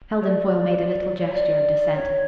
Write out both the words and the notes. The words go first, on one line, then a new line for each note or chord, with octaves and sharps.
Heldon Foyle made a little gesture of dissent.
C#5
D5
D5
C#5
D5
C#5